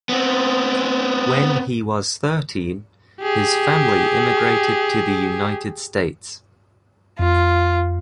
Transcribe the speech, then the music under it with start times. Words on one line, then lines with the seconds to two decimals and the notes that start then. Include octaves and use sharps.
When he was thirteen, his family immigrated to the United States.
0.09 B3 C4
3.21 G4 G#4
7.19 F2 F4